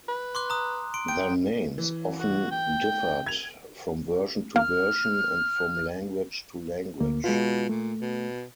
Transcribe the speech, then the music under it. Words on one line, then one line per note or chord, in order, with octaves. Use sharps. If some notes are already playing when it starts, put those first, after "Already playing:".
Their names often differed from version to version and from language to language.
B4
C6 D6 F#6
A#5 D#6
C6 D7
G5 D7
E3
F#4
G5
G#6 F7
A#3 F6
D2 A#3
B2 G#3 F4
A#2 A3
B2